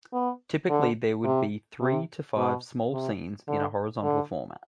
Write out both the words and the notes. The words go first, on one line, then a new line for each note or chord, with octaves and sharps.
Typically there would be three to five small scenes, in a horizontal format.
B3
D3
C3
C3
B2
C3
D3
D3